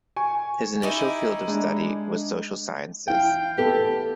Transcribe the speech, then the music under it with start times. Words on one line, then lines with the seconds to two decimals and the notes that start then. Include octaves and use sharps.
His initial field of study was social sciences.
0.16 G#5 C#6
0.82 D#4 E4 G4
1.48 G#3 D4
3.08 E4 F5 G5
3.58 B3 G4 A4 B4